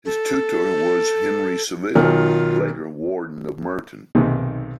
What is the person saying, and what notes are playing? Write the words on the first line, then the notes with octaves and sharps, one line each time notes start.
His tutor was Henry Saville, later warden of Merton.
A4
B1 D#3 F4
B1 G#2 C3 D#3